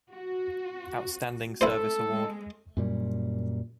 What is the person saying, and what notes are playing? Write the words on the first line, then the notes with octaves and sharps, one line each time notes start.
Outstanding Service Award.
F#4
A3 E4 A4 C5
G#3
F#2 A#2 G3